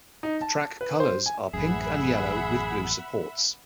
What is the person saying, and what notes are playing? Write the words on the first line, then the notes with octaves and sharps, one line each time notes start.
The track colors are pink and yellow, with blue supports.
D#4
A5
B4
C5
G#5
A1 F#2 G#4 E5 F#5 B5